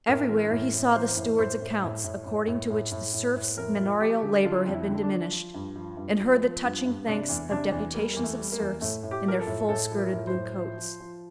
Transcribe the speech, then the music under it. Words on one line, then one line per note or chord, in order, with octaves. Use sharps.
Everywhere he saw the stewards' accounts, according to which the serfs' manorial labor had been diminished, and heard the touching thanks of deputations of serfs in their full-skirted blue coats.
A2 A#4
E3
A2
A2
E3 C5
A2
A2 C5
A2
A2
A2
A2
A2
A2
A2
A2
A2
F2 A#4
F3
F3 G4
D3
D3 F4
F2
E4
D3
D4
F3
F3
G2
F3
G2
F3
F3
G2
G2
C3 D4
E2
C3 D4
E2
G3 A#3
E2 A#3
A3
G3
A#3
E2
A2 A3
A2
G4
F3 A#4
A4
A2
A2 A4
F3
A#4
A2
C5
A2
F3
F3
F3